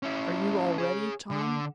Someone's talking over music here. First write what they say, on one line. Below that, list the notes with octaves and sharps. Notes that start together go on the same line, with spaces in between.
"Are you all ready, Tom?"
C#4 E4
G#4 C#5
D3